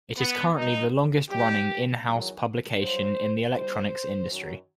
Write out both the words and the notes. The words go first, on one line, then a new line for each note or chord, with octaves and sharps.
It is currently the longest-running in-house publication in the electronics industry.
B3
G2 E3 G3 D#4
D#2 D#3 G3 G4
E2 D#3 F#3
G2 F#3 C5
D#2 D#3 G3 C5
F#2 D#3 F#3